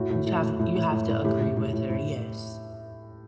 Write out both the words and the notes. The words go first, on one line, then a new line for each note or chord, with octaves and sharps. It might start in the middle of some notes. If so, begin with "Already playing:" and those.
You have you have to agree with her, yes.
Already playing: A2 F#4
A2
A2
A2
A2
A2
A2
A2
A2 G4
A2
A2
A2
A2